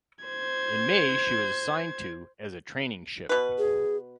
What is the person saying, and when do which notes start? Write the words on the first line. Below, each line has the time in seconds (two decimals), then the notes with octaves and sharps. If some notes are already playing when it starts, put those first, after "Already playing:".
In May she was assigned to as a training ship.
0.25 C5 G#6
3.29 B2 B4
3.58 G#4